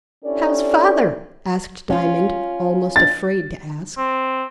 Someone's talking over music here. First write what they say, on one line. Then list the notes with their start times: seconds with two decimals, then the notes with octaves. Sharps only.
"How's father?" asked Diamond, almost afraid to ask.
0.25 C#4 D4 E4 G4 A4 D5
1.90 C#4 F4
2.96 A6
3.98 C4